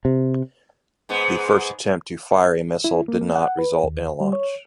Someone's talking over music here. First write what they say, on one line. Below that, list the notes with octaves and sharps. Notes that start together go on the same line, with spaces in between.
The first attempt to fire a missile did not result in a launch.
C3
G#2 G#3 B3
E4
A#3
F#5
B4
D#2
G3
C#5